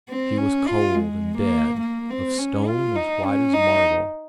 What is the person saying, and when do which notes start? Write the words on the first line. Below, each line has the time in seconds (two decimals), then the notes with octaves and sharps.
She was cold and dead--of stone as white as marble.
0.09 C4
0.37 C#4
0.67 F4
0.95 G#3
1.38 A#3
1.81 A#3
2.10 C4
2.38 C#4
2.67 F4
2.95 D#4
3.25 C#4
3.53 D#4